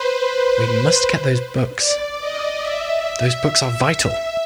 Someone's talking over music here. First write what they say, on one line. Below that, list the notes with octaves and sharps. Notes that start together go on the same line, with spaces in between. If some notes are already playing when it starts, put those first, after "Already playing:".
We must get those books; those books are vital.
Already playing: B4 C5
B4
C5
D5
D#5
E5
E5